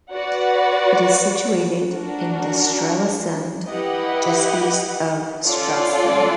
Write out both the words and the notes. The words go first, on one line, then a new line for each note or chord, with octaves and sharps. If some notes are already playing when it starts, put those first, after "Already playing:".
It is situated in the Strelasund just east of Stralsund.
F#4 B4 D5 F#5
D4 F#4 A#4
E4 G4 B4 D#5 F#5
C#4 F4 A4 D5 F#5